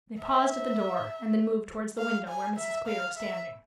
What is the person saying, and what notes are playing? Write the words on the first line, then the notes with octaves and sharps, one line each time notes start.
They paused at the door, and then moved towards the window where Mrs. Clear was standing.
E5
F5
G#5
E5
F5
E5